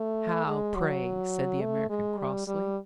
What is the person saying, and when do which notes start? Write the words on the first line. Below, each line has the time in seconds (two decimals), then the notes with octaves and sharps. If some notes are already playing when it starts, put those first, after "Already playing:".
"How, pray?" said the American, crossly.
Already playing: A3
0.46 G#3
0.75 F#3
1.61 A3
1.90 G#3
2.18 G3
2.47 G3